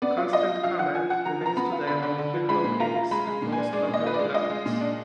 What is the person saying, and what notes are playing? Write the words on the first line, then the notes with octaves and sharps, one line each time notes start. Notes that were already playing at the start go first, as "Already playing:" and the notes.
Constant Comment remains today one of Bigelow Inc.'s most popular products.
B3 D5
F4
F4 D#5
F4
F3 F5
F3 F#5
F3 G#5
F3 F#5
F3 A#5
F3 A#5
B3 B5
F4
D3 B5
D3
D3
F3
G#3 B5
A#2
F4 A#5
F4
G#3 B5
G#3
A#2
G#5
D4
G#3 D5
A#2
D#5
F4 B4
D5
G#3
F4 D#5
G#3
A#2
D4